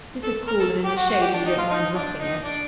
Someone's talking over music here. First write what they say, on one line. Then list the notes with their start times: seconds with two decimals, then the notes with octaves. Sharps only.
This is cool and in the shade, if you don't mind roughing it.'
0.23 A4
0.47 A#4
0.60 A4
0.84 G4
0.97 F#4
1.09 F#4
1.21 G4
1.34 D4
1.46 D#4
1.58 F4
1.71 D#4
1.95 D4
2.19 D#4
2.44 D4